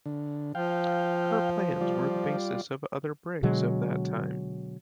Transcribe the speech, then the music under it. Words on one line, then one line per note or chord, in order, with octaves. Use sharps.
Her plans were the basis of other brigs of that time.
D3
F3 F5 G5
G3 F4 D5
B2 D3 F#3 G#3